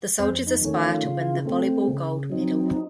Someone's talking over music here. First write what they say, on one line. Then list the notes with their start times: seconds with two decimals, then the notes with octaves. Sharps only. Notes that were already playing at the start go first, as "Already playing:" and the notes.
The soldiers aspire to win the volleyball gold medal.
0.19 F2 C4 C5
0.47 D#4
0.61 D#3 A3 C#4
0.76 F4
1.03 C#3
1.45 A3 C4
1.88 C#3
2.30 F#3 C4 D#4
2.71 D#4